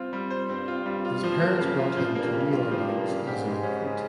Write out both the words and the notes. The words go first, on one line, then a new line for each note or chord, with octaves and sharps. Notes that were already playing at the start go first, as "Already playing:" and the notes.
His parents brought him to New Orleans as an infant.
Already playing: G3 C4 F4
G3
C5
G2 C4
F4
G3
F4
F3
A#3
C#3
F4
F3
G2 A#3
C#3
F4
G2 F3
A#3
C#3
G#2 G4
G#3
C#4
C#3